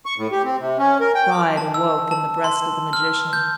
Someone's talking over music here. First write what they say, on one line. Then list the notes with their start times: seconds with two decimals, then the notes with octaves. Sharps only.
Pride awoke in the breast of the magician.
0.06 C#6
0.18 A2
0.32 G4
0.44 C4
0.60 C3
0.78 C#4
1.00 A#4
1.15 G5
1.30 D6
1.57 A5
1.74 E6
2.11 A5
2.44 C6
2.93 F6
3.33 G6